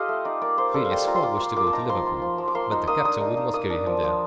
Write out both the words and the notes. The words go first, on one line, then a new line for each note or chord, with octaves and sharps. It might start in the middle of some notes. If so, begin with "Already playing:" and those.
Phileas Fogg wished to go to Liverpool, but the captain would not carry him there.
Already playing: F4 G4 A4 D#5 F5
A3
D#4 D5
A#3 D5
A#3 C5
G3 A4
F5
F4 G5
F4 A#5
C6
F4 D6
F4
A#3 D6
A5
D#4 A#5
F3 C6
F4
F3
F3
D6
A#3 C6
D#4
A#3 D#6
D4 D#6
D#4
D#4
A#3 D#6
D4
F3
F3